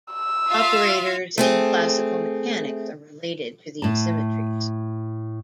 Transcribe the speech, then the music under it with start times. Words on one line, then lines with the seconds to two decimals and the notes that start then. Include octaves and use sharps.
Operators in classical mechanics are related to these symmetries.
0.13 E6
0.51 F4 E5 F5
1.38 A3 C4 G#4
3.82 A2 A5